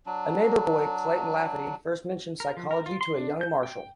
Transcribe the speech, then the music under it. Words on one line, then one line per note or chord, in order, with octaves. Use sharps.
A neighbor boy Clayton Lafferty first mentioned psychology to a young Marshall.
F#3 D4
A#4
F3
A#4
F4
C6
D4
G6
G5